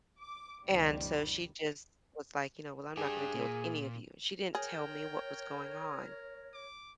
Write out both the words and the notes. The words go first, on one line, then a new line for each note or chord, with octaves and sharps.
And so she just was like, you know, "Well, I'm not gonna deal with any of you." She didn't tell me what was going on.
D6
C#2 F#2 B2 D#3 F3 G3
D4 G4 G#4
A#2
G#4 A#4 C#5 G5
D6